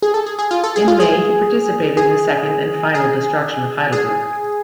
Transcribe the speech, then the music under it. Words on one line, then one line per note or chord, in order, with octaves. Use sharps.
In May, he participated in the second and final destruction of Heidelberg.
G#4
A4
G#4
G#4
F4
A4
G#4
F4
G#4
G#4
G#4
G#4